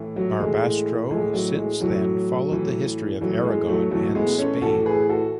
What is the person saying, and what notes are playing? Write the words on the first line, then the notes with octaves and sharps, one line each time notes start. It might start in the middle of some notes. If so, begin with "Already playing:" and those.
Barbastro since then followed the history of Aragon and Spain.
Already playing: A2 E3
F#3
A2 E3 G#3
A2 E3 G#3
F#3
G#3
A2 E3 F#3
A2 E3
A2 E3 F#3
G#3
F#3 A3
A2 E3 F#3 A3
G#3 B3
A3 C#4
A2 E3 F#4 A4
G#4 B4
F#4 A4